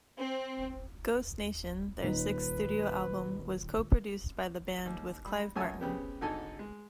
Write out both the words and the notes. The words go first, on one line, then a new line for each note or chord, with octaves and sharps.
"Ghost Nation", their sixth studio album, was co-produced by the band with Clive Martin.
C4
D#1 D#4 B4
D#2
G3
C#2 F#2 C#5 E5 G#5 A5
C#3 B3 C4 G4
G#1 D3 D#4 A4 G#5 A5
G#3